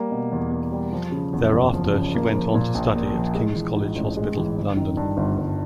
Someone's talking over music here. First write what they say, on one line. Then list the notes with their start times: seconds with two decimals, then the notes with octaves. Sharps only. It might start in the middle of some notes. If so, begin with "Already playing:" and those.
Thereafter she went on to study at King's College Hospital, London.
Already playing: G3 A#3
0.11 B2
0.32 E2
0.52 A#3
0.72 G3
0.93 F3
1.12 C#3
1.33 E2
1.53 F#1
1.74 F3
1.94 C#3
2.14 A#3
2.35 F3
2.55 A#2
2.75 A#1
2.95 A#3
3.15 F3
3.35 G#3
3.56 E3
3.76 G#2
3.95 A1
4.17 G#3
4.37 E3
4.57 G1
4.77 D#3
4.97 G2
5.17 G1
5.38 G1